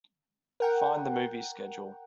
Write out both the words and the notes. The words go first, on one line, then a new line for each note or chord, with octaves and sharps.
Fine the movie schedule.
A#4 F#5 G5